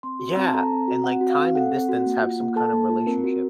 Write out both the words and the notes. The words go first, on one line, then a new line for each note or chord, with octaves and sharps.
Yeah, and, like, time and distance have some kind of relationship.
C4 C6
F#4
C4
A5
A4 A#5
C4
F#4
C4 F#5
F#4
F5
C4
A4 F#5
C4
F#4
A#3
F4
A#3
A4 A5
A#3
F4
C4 A#4
F#4